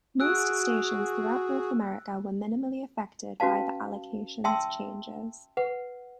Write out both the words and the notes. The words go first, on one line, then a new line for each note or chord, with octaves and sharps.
Most stations throughout North America were minimally affected by the allocations changes.
F#4 G#4 E6 F#6 D7
C#4 F#4 B4 F5 A5
E5 G5 A5 C6 D#6 E6
B4 F#5